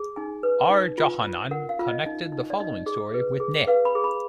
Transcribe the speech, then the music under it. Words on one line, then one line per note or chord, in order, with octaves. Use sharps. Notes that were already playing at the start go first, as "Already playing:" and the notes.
R. Johanan connected the following story with Neh.
Already playing: G#4
D#4 G#5
B4
D#4
F4
F4
A#4 F#5
F5
F4
D#5
D#4
D#4
D5
D#4 D#5
G#4
B4
G#4
B4 F5
B5
G#4
B5